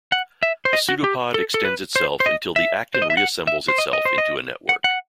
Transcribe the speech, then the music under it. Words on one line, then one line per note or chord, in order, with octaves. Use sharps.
The pseudopod extends itself until the actin reassembles itself into a network.
F#5
E5
C5
D#5
F#4
G4
A4
A4
B4
C5
C5
D#5
E5
C5
D#5
E5
F#5
E5
C5
D#5
D#5
C5
D#5
F#5
F#5